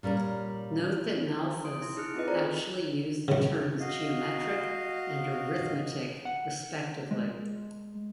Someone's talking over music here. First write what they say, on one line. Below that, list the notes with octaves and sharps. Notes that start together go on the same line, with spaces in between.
Note that Malthus actually used the terms geometric and arithmetic, respectively.
A#2 G3 C#4 A#4
C6 D#6 D7
E4
D#4 G#4 F6 F#6 C#7
C4 E4 F4 B4 D#5
A4 C5 D5 A#5
F#2 C#3
F#4 D#5 F5
F#5
G#3